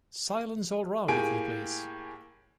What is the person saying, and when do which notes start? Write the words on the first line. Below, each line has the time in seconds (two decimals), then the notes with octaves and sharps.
Silence all round, if you please!
1.08 A2 A#3 G4 G#4 G#5 D7